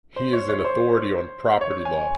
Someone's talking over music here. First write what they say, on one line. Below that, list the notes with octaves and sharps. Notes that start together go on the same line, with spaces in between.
He is an authority on Property Law.
C5
C#5
C#5
C#5
C5
C#5
G#5